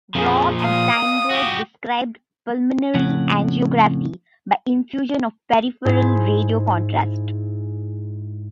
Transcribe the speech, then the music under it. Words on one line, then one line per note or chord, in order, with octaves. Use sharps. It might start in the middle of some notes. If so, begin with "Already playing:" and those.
Robb and Steinberg described pulmonary angiography by infusion of peripheral radiocontrast.
F2 A#2 F3 G#4
F5 D#6
F#4 G4
F2 A2 C#3 C#4 F#5
G#2 E4 G#4 C5